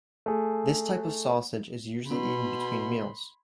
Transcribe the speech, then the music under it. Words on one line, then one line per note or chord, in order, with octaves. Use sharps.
This type of sausage is usually eaten between meals.
A3 G#4
B2 B3 B5 C6